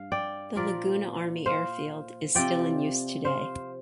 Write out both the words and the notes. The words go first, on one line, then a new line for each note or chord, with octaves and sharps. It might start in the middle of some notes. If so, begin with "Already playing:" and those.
The Laguna Army Airfield is still in use today.
Already playing: G2 F5
D5 G5
A#2 F3 A#4 D5
C5 F5
C3 F3 D5 G5
C5 F5